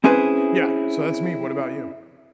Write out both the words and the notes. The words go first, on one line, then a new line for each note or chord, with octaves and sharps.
yeah. So, that's me, what about you?
C4 C#4 E4 G#4 B4 C5